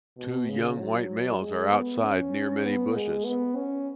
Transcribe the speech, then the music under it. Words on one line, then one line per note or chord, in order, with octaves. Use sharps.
Two young, White males are outside near many bushes.
B2
C#3
F#3
G#3
B3
C#4
B3
G#3
B3
C#4